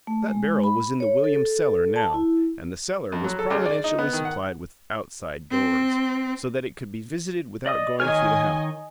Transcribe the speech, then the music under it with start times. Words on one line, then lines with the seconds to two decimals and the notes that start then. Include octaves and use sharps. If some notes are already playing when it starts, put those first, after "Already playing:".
That barrel was in the Williams' cellar now, and the cellar was providentially supplied with "outside doors," so that it could be visited without going through the house.
0.07 A3
0.27 G#3
0.64 B5
1.00 C#5
1.24 A4
1.96 A5
2.14 E4
3.12 F2
3.24 F#3
3.39 A4
3.50 C#2
3.66 D5
3.84 D#4
3.98 B3
4.13 D#3
4.25 F#5
5.51 C4
7.66 D5 D#5 D#6
8.00 D#3 C#5 D#5 G#5 F6